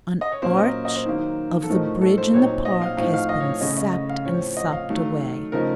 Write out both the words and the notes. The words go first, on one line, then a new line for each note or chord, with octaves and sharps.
An arch of the bridge in the park has been sapped and sopped away.
D#5
C#5
A#2 F#3 A#3 C#4 C5
D#5
D#5
C5
D#3 F#3 A#3
A4
A2 F3 A3 D#4 A#4
A4
C5
A#2 F#3 C4 D#4 C#5
D#5
F5
A2 F3 C4 D#4 F5
F5
D#5
C#5
C#3 A3 C#4 D#5
D#5
D#5
F5
A2 F3 C4 C#5
D#5
F5
D#3 F#3 A3
C#3 F3 A3 D#4 A#4